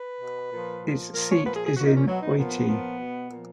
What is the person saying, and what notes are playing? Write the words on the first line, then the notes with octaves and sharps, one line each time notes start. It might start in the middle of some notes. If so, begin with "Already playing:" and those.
Its seat is in Oitti.
Already playing: B4
B2
A#2 F3
A#2 F3
A#2 F3 A#4
C#5
A#2 F3 B4
G#4
G#4
A#2 F3 F#4
D#4
C#4
B2 F#3
D#4
A#2 F3 B3
A#2 F3
B2
A#2 F3